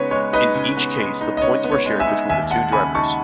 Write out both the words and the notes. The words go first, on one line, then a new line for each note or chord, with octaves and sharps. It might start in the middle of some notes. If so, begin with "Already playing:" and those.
In each case the points were shared between the two drivers.
Already playing: C#3 G#3 B3 D#4 B4 C#5
G#3 C#5
D#4 B4 D#5
C#3
B3
G#3
D#4
D#5
C#3 C#5
B3
C#5
G#3
E5 G#5
D#4
D#2 E5 G#5
G#3 F#5 A5
C#3 G#5 B5
D#4 A5 C#6